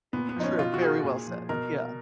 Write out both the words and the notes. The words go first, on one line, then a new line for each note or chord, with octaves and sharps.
I true, very well said. Yeah.
A#2 B3
B3
F3 D#4
C#4
B2 F4
F#4
G#4
A#2
F3
B2 A#4